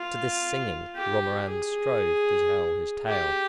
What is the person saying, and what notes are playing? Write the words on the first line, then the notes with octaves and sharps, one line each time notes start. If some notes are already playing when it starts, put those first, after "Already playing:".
To this singing Romarin strove to tell his tale.
Already playing: F4
G4
G#4
G4